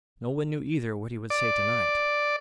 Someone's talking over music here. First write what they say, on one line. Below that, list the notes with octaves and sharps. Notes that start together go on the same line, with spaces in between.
No one knew either what he would say to-night.
D5